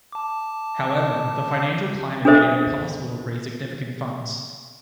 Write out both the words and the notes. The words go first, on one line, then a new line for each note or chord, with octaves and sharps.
However, the financial climate made it impossible to raise significant funds.
A5 D6
D4 G#4 A4 C5 E5